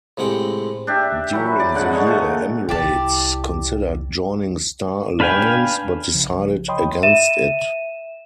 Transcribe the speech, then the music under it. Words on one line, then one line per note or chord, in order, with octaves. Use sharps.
During the year, Emirates considered joining Star Alliance, but decided against it.
A2 C3 G#3 F#5 G5
D4 G4 E5
E3 F#3
D5
G#2 D3 F#5
D3 C#5 D#5
A#2 A3
C2 E4 G4 D5 A5
D4 B4 F5 G5 G#5
B1 C#3 F3
C#5 D#5 G5 B5 C6 D#6
E5 D#7 E7